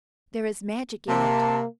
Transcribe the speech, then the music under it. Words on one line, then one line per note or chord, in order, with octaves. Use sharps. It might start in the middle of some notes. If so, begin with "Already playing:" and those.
There is magic in it.
C3 A#3 A5